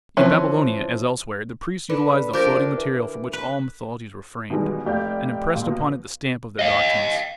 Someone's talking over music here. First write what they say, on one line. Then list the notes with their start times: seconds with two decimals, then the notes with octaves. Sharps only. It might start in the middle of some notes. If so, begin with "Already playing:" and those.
In Babylonia, as elsewhere, the priests utilized the floating material from which all mythologies were framed, and impressed upon it the stamp of their doctrines.
0.17 E3 F3 C4 C#4
1.89 D3 B4
2.33 F3 D4 G4 A#4
2.77 E3
3.33 B4
4.50 B2 D#3 E3 G3 G#3
4.86 F1 G4 D5 F5 G6
5.55 A#2 G4 F5
5.67 B2
6.59 D#5 F5